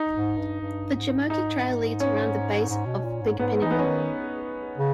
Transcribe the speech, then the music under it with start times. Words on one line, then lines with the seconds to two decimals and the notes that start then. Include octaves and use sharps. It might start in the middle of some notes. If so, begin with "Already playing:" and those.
The Jomeokee Trail leads around the base of Big Pinnacle.
Already playing: D#4
0.15 G#2
0.38 G2
0.61 G2
0.96 G#2
1.30 D#4
2.00 C#4
2.69 G#2
2.86 B2
3.04 A#2
3.22 G#2
3.39 G#2 B3
3.62 E3 D#4
3.71 B3
3.79 C#4
3.85 D#3 D#4
4.78 C#3